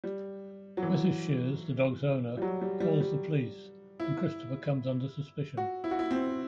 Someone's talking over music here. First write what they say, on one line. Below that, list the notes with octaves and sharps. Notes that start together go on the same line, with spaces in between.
Mrs Shears, the dog's owner, calls the police, and Christopher comes under suspicion.
G3
F#3
E3
G3
F#3
G3
G3
G3
E4
F#4
E4
F#4
E4
C4